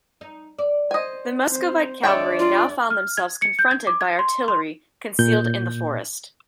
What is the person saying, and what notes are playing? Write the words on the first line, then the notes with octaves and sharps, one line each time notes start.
The Muscovite cavalry now found themselves confronted by artillery concealed in the forest.
D#4
D5
C5 D#5 G#5
C4 C5
D#2 G#3 D4 C#5 D5 E5 G5
F4
F6
G#6
C#7
G6
G#6
D6
G#6
C6
C6
A#2 G6